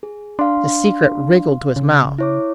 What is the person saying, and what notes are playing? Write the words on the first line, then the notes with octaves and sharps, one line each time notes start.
The secret wriggled to his mouth.
G#4
D4 F5 C6
C#3
E4 C#5 D6